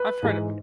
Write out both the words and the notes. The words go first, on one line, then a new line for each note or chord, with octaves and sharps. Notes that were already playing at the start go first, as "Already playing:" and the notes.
I've heard of it.
Already playing: B4
G#2 E3 G#3